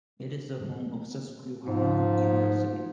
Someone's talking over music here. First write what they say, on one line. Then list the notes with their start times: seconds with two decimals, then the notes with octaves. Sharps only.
It is the home of Susquehanna University.
1.68 G#2 F3